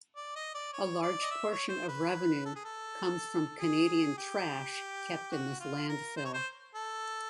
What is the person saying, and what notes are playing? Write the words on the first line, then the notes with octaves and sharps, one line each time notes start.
A large portion of revenue comes from Canadian trash kept in this landfill.
D5
D#5
D5
C#5
D5
D#5
E5
C#5
C5
B4
A4
G#4
A4
G#4
G4
F#4
F4
A#4
C5
C#5
C5
A4